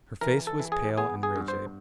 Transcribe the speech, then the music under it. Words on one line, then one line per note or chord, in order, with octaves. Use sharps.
Her face was pale and rigid.
E3 A#4
A4
E3
G#4
B3 G#4
G#4
G2
C5